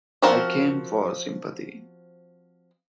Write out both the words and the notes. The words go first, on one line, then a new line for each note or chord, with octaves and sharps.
I came for sympathy.
F3 C4 F#4 A#4 F5